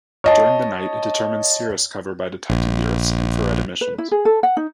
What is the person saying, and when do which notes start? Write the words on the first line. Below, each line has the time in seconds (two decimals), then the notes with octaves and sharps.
During the night, it determines cirrus cover by detecting the Earth's infrared emissions.
0.24 C#5 D#5 A5
2.50 A#1
3.81 B4
3.98 E4
4.11 G#4
4.25 A4
4.43 F#5
4.57 D#4